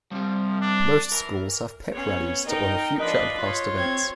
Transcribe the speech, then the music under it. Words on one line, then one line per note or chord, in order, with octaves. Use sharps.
Most schools have pep rallies to honor future and past events.
F3 G3 C4 G4
D4
E3 A#4
B3 C#4 C#5
D#4 A#4 D#5 G5
F3 D4 B4 D#5
F4 C#5
C4 G#6